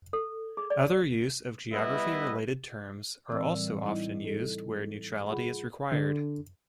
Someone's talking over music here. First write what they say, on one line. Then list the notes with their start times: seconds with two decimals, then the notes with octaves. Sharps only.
Other use of geography-related terms are also often used where neutrality is required.
0.13 A4
0.57 G#4
0.70 D5
1.72 G3 B3 E4 B4 D#5 E5
3.28 A2 E3 C4 A#4 D5 E6
3.54 G3
3.84 G3 D#4 E4 D#5
4.25 A4
5.27 F4 G#4 F#5 B5
5.92 D3